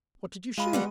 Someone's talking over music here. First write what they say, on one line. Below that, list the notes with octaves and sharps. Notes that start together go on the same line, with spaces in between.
'What did you shoot?
G#3 F4 B5 D#7
G3 B3 F#4